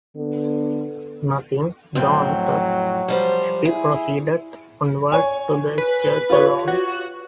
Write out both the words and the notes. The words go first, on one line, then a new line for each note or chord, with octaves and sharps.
Nothing daunted, Abby proceeded onward to the church alone.
D3 B3
F2 A2 F#3 C4
F3 G3 C5
E4 G#4
C#5 G#5
B4
F4 G4 C#5
F#4